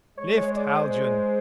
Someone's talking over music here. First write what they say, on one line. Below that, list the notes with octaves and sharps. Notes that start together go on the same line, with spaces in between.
"Lift, Haljan!"
G#3 C#5
C#5
D5
C5